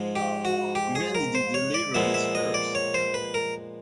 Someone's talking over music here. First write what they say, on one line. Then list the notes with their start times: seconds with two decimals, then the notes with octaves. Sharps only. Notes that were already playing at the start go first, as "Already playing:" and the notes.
When did you deliver this first?
Already playing: G#2 F3 G#3
0.16 G4
0.45 F#4
0.75 G4
0.95 G#4
1.15 A#4
1.35 C5
1.54 C#5
1.74 D5
1.94 A#2 F3 G#3 B3 E5
2.14 E5
2.35 D#5
2.54 D5
2.75 C#5
2.94 C5
3.14 B4
3.34 A#4